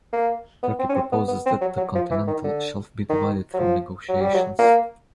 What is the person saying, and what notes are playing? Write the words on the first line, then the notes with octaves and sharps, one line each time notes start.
Turkey proposes that the continental shelf be divided through negotiations.
A#3
B3
C4
C#4
C4
B3
B3
C4
F#3
F#3
F3
E3
D#3
D3
D#3
F#3
F3
F#3
G3
F#3
A#3